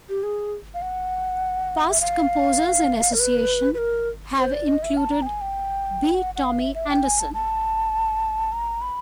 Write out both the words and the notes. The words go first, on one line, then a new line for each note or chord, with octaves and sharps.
Past Composers-in-Association have included B Tommy Andersson.
G4
G#4
F5
F#5
E5
F5
A#4
B4
B4
A#4
C5
D5
D#5
E5
A5
A#5
G5
G#5
G5
F#5
F#5
F5
E5
E5
G5
G#5
A5
A5
A#5
B5